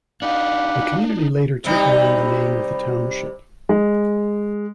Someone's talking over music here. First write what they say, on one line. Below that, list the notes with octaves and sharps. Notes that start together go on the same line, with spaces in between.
The community later took on the name of the township.
D4 D#4 G4 B4 F5 F#5
C3 G3 D#4
G#3